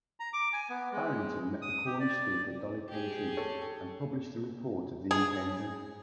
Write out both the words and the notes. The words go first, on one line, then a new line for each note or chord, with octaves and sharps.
Barrington met the Cornish speaker Dolly Pentreath and published a report of the encounter.
A#5
D6
G#5
B3
G#3
D#6
G4
D5
G4 G#4
A4 C#5
G#4